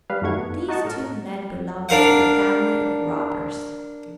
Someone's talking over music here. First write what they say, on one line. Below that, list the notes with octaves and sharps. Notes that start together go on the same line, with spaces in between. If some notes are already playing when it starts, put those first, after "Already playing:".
These two men belonged to a family of robbers.
G3 B4 F5
F#2 D#3 A3 F#4 C#6 G#6
B3
D#4 F#4 D#5 A5 C#6
A2 A#4
D4 A#4 F5 F#5